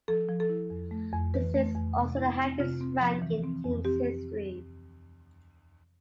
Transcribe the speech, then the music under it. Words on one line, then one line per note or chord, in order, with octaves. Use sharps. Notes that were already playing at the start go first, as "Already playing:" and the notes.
This is also the highest rank in team's history.
F3 A4
F3
A4
E4
F2
A3
F2
E3 B4
A3
F2
C3
E4
C4
C3 F4
C4
F3
E3
C4
F2
C4 G4